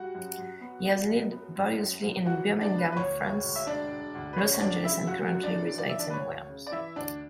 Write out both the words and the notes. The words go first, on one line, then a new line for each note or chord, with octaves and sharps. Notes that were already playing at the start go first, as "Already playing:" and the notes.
He has lived variously in Birmingham, France, Los Angeles and currently resides in Wales.
Already playing: G3 F#4 F#5
F#2
F#2
B3
B3
F#2
B3
F#2
F#2
F#2
E3 F#4 F#5
E3
D4 D5
B3 B4
B4
D2 C#5
E1
D2
E5
E1 D4 D5
E1
D2
B4
C#3 C#5
C#5
F#2 D4 D5
C#3 E4 E5
F#2 F#4 F#5
F#2
D4 D5
E3
E3 D5
E5
E3 D4 D5
B4
C#5
D2
C#3
D5
E3 E4 E5
D2 D4 D5